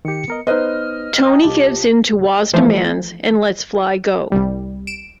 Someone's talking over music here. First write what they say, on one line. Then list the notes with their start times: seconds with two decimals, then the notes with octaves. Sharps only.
Tony gives into Wah's demands and lets Fly go.
0.05 D#3 G4 C#7
0.28 B3 A#4 D#5
0.47 B3 D#4 B4 C5 D#5 F6
1.25 G5 A#5 D#6
1.42 C2 F4 G4 A5
2.53 E3 F3 A3 C5
4.32 C2 G3
4.87 D7 E7